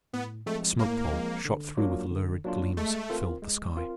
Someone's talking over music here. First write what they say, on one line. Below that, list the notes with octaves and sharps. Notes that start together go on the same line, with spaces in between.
A smoke pall, shot through with lurid gleams, filled the sky.
A2 B3
F3 G#3 A3 C4
A2 A#3
F3 G#3 C4
D3
F#3 A#3 D4 F4
D3
F#3 A#3 D4 F4
G#3 A3
C4 F4 A#4
G#3
C4 F4 A#4